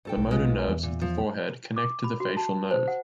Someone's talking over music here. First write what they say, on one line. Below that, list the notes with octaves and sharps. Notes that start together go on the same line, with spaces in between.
The motor nerves of the forehead connect to the facial nerve.
D2 A4 G5
B1
G#3 B3 F4
E2
A#2
F3
D6
B5
F#4
A5
C5
F#5